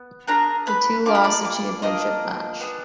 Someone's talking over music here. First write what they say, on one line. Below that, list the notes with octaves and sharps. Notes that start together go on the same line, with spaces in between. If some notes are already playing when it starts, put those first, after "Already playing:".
The two lost the championship match.
Already playing: B3
D4 F4 G#4 A#4 A#5
B4 B5
A#3 D4 F4 D6
B5
D5 D6
D5 D6
A#3 D4 F4 D#5 D#6
B3 D4 G#4